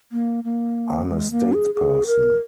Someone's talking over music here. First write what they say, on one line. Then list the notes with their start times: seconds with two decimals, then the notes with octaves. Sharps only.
I'm a statesperson.
0.12 A#3
0.44 A#3
1.09 G#3
1.31 A#3
1.53 G#4
1.74 G#4
2.07 A#4